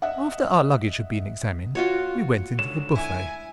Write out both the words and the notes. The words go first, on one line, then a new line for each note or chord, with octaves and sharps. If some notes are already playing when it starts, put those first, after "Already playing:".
After our luggage had been examined, we went into the buffet.
D#5 E5 F#5
F4 F#4 C#5
G#2 D3 C#5 E7
E4 G#5